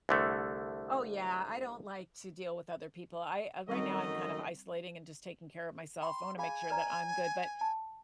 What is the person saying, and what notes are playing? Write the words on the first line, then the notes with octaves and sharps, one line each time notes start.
Oh yeah, I don't like to deal with other people, I, uh right now I'm kind of isolating and just taking care of myself, I wanna make sure that I'm good, but
C2 D3 A3
F#2 D#3 F#3 G3 A3 C4 D#5 C#6
G5 B5 C6
G#4 F5 G#5 B5
B4 D5 A#5
A5